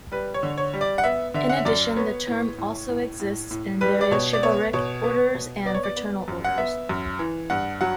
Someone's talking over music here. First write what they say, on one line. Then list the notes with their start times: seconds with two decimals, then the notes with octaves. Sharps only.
In addition, the term also exists in various chivalric orders and fraternal orders.
0.12 G3 B4
0.34 C#5
0.43 D3
0.58 C#5
0.74 G3
0.81 D5
0.98 F#5
1.04 B3 E5
1.34 D3 E5
1.50 F#5
1.57 E5
1.65 F#2 D5
1.97 B3 C#5
2.27 A2
2.58 A2
2.89 A2
3.20 A2
3.51 A2
3.81 G3 B4
4.01 D5
4.11 B2 C#5
4.33 D5
4.43 B3 C#5
4.73 B2 C#5
5.04 B3
5.35 B2
5.65 B3 D5
5.75 C#5
5.84 D5
5.97 B3
6.28 F#2
6.44 F#5
6.57 B3 E5
6.89 F#2
7.19 E3
7.50 G2 F#5
7.81 F#3 F#5